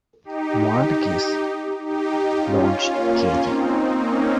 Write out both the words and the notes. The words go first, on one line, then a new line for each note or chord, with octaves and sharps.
Wanagas launched k.d.
D#4 G4
D#4 G4
C#4 F4
A#3 C#4
C4 D#4
A#3 C#4